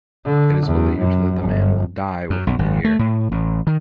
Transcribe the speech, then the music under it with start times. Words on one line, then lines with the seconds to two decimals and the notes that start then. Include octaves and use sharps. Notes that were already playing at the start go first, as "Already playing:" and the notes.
It is believed that the man will die within the year.
0.25 D3
0.66 E2
0.98 F#2
1.41 G1
2.30 F#2
2.47 B1
2.59 G#1
2.84 A3
2.99 A2
3.32 A1
3.67 D#3